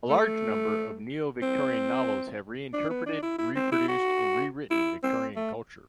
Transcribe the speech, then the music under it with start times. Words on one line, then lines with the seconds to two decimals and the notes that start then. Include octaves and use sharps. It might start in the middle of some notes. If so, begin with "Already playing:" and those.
A large number of neo-Victorian novels have reinterpreted, reproduced and rewritten Victorian culture.
0.10 A3
1.42 C4
2.73 D4
2.90 B3
3.06 D4
3.23 E4
3.39 E4
3.56 C4
3.72 E4
3.88 F#4
4.71 E4
5.03 C4
5.36 A3